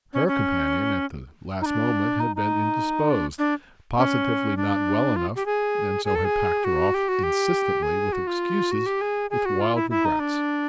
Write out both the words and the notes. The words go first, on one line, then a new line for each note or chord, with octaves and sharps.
Her companion, at the last moment, had been indisposed--positively not well enough, and so had packed her off, insistently, with excuses, with wild regrets.
C#4
C#4
D#4
D4
D#4
D#4
D4
D4
C#4
D4
F4
G4
G#4
G#4
A4
G#4
F#4
G4
F#4
G4
G#4
F#4
F4
F#4
G4
G#4
G#4
F#4
F4
E4
E4
D#4
D4